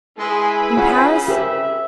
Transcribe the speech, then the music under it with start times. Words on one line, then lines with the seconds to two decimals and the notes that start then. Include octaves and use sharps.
In Paris?
0.19 G#3 E4 G#4 B4 B5
0.77 C#3 F4 C#5 F#5
1.28 G4 A#4 C5 E5